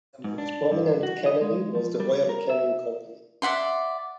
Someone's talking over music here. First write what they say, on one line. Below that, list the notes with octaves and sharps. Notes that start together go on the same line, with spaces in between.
The most prominent cannery was the Royal Canning Company.
G#2
D4
G2
F#4
D#5
G#3
F3
G3
A#4
E5
D5 E5 F#5 C6